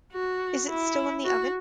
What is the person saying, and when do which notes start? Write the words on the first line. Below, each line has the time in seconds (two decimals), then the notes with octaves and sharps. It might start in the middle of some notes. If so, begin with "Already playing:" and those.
Is it still in the oven?
0.12 F#4
0.69 E4
1.25 F#4